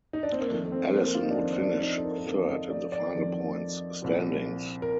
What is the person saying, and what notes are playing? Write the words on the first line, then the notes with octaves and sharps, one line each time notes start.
Allison would finish third in the final points standings.
D#4
D4
C4
A#3
F2 D#3 A3
C4
A#3
F4
D#4
D4
F2 D#3 C4
D4
D#4
A4
A#4
A#4
F2 D#3 A4
D#5
D5
D5
F2 D#3
C2 A#2 F3
A#4